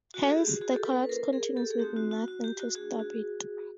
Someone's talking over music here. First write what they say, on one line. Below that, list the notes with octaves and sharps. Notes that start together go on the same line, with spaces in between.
Hence, the collapse continues with nothing to stop it.
F#4
A4
G#4
G4
F#4 G#4
F#4 G#4
G4 A4
A#3 C#4 F4 A4 B4
B4
A#4 C5
G#4 A#4
G4 A4
G#4
A3 C4 D#4 F#4 G4
F#4
F#4
F#4
G4
F#4
A3 D4 F#4 G#4
F#4 G#4